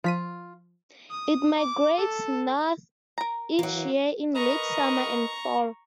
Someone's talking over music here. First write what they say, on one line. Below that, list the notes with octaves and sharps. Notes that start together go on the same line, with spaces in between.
It migrates north each year in late summer and fall.
F3 F4 B6 D#7
D#6
D6
A4
A#4 A#5
E3 F#3 A#3
A#4 B4 D#5 A#5 C#6